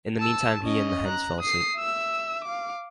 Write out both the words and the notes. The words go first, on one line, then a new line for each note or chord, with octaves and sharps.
In the meantime, he and the hens fell asleep.
A5 E6
C#4 D#5
A#5 F#6
D#6 C7
E5 E6
F5 D6